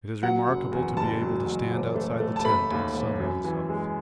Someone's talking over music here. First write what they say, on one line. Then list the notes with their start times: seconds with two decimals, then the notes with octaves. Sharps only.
It is remarkable to be able to stand outside the tent and sun oneself.
0.23 F#3 F#5
0.47 F#1
0.72 E2
0.96 F#1 A5
1.21 F#3
1.46 F#1
1.71 E1
1.96 A3
2.20 A3
2.36 A5
2.45 A3 B5
2.70 D#2
2.95 E1
3.20 F#2
3.44 E3
3.69 G#3